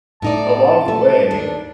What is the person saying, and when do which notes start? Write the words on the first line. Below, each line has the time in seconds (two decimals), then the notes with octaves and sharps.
along the way,
0.22 A2 D#4 D5 A5
0.88 A3
1.31 D#2 D4